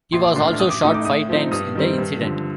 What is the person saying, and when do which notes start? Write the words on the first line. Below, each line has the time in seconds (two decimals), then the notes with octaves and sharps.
He was also shot five times in the incident.
0.13 A#1 C6
0.24 D6
0.36 A2 A3 D4 C6
0.48 F6
0.60 A1 D#6
0.70 D6
0.82 A2 A3 D#4 D#6
0.94 D6
1.05 A2 D#6
1.29 F3 C4 D#4
1.51 G2 D#6
1.75 D#3 G3 C4
1.98 G2
2.21 D3 F3